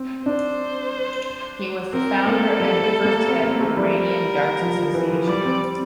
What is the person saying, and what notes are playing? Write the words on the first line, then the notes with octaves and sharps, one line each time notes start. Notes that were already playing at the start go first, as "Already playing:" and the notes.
He was the founder and the first head of Iranian Darts Association.
Already playing: C4
D4 C5
C4 A#4
A#3 A4
G3
A3
A#3
C4
A#3
A3
G3
A#4
F3
F3
E3
F3
G3 D5
C4
C4